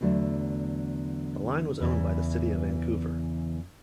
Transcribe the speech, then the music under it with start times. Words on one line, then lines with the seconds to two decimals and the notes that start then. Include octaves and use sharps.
The line was owned by the City of Vancouver.
0.01 E2 D3 F#3 A3
1.80 E2 C#3 E3